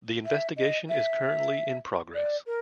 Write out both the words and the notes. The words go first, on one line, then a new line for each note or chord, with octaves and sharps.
The investigation is currently in progress.
E5
D#5
E5
D5
A#4